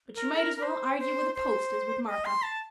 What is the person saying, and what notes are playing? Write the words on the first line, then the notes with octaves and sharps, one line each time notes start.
But you might as well argue with a post as with Martha.
A#4
A4
A#4
A#4
C5
C5
C5
D#5
C6
A5